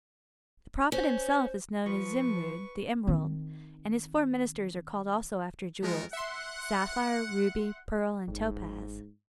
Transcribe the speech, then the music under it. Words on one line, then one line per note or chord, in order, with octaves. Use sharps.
The prophet himself is known as Zimrud--"the Emerald"--and his four ministers are called also after jewels--Sapphire, Ruby, Pearl, and Topaz.
C#4 C5
F3 B4 C#6
D#3 C4
F3 G#3 A3 B3 A#4
E5 F#5 C6
G1 G#2